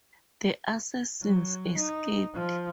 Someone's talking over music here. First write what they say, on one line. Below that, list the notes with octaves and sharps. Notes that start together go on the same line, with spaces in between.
The assassins escaped.
F#3
D#4
F3